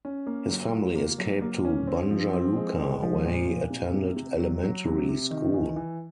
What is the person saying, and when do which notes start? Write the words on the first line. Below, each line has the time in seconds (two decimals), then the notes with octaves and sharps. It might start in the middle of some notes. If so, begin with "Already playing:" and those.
His family escaped to Banja Luka, where he attended elementary school.
0.05 C#4
0.27 A#3
0.50 F#3
0.73 F4
0.96 A#3
1.18 F#3
1.42 A#3
1.65 C#4
1.87 C4
2.10 F3
2.34 C4
2.56 G#3
2.79 G#3
3.02 F3
3.25 A#2
3.48 A#2
3.70 C3
3.94 C3
4.16 C3
4.39 F#3
4.63 F#3
4.85 C3
5.08 C3
5.31 D#3
5.54 E3
5.76 E3